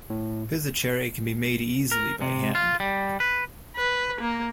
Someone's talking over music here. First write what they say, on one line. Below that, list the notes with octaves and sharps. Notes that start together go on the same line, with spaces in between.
Pizzoccheri can be made easily by hand.
A2
A#4
C3
F4
G3
B4
B4
A#3